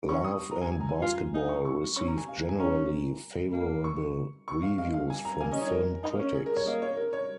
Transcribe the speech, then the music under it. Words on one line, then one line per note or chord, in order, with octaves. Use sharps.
"Love and Basketball" received generally favorable reviews from film critics.
C#4 C#6
D#6
A#5
G#5
G#5
A#5
G#5
F4
D#4 F5
C#6
C#6
C#4 C#6
A#5
G#5
F5
F5
G#5
C#4 A#5
A#3
C#6
C#6
F5
G#3 F5
F5
G#5
A#5
A#3 G#5
C#4 D#5
D#4 C#5
A#4
D#4
A#3
C#4
G#4
A#4
C#5
A#3 D#5
C#5
A#4
C#5